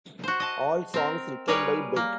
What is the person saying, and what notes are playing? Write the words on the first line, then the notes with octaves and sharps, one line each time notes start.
All songs written by Beck.
F#4 C5
D#5 A5
C4 A#4
G3 G#4 A#4 B4 C#5 D5
A#3